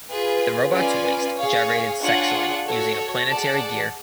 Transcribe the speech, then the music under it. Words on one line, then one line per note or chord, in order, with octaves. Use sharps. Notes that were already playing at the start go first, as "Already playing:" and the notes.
The robot's waist gyrated sexily using a planetary gear.
F4 G#4 B4
C#4 F4 B4 D5 G#5
G#4 C#5 F5
D4 F4 G#4 C#5 F#5
F#4 A4 C#5
G#4 D5 F#5 A5